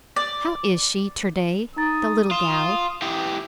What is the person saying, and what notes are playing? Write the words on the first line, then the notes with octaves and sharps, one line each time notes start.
"How is she, ter-day--the little gal?"
D5
D#4 A#5 D#6 A6
F4 E7
E3 G4